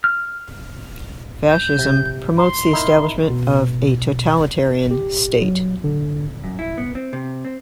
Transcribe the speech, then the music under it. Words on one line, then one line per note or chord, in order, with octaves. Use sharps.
Fascism promotes the establishment of a totalitarian state.
F6
G6
C3
A#5 C6
D#4 E4 A#4
B2
G4
F#3
D3
F#2
E4
B3
C4
C3
C4